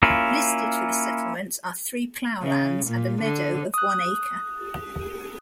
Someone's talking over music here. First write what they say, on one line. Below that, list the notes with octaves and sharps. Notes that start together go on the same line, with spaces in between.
Listed for the settlement are three ploughlands and a meadow of one acre.
A#3 C#4 E4 F4
C#3
A#2
D3
D#6 F#6